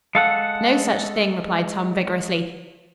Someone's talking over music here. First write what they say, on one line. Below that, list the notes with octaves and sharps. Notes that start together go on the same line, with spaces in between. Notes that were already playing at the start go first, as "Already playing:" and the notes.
"No such thing," replied Tom vigorously.
G#3 A4 F5 F#5